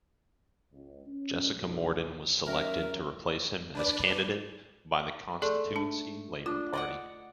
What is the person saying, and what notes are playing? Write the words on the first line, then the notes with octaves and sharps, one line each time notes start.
Jessica Morden was selected to replace him as candidate by the Constituency Labour Party.
C#2
C#4
B1
F#3 C#4 A#4 E5
D4 B4 D5
A3 G#4 D5 C6
D4 A5
D4 F4
D5 D#5 F#5